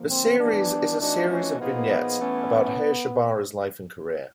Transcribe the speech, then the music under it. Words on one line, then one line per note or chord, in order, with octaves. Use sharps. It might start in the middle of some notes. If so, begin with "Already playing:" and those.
The series is a series of vignettes about Hayashibara's life and career.
Already playing: D3 F3 A#3
C4
E3 G3 B3 D4
E3 A3 C4 D4 D#4 F#4
C#4
A#2 F3 A#3 B3 D#4 G#4
E3 A3 C#4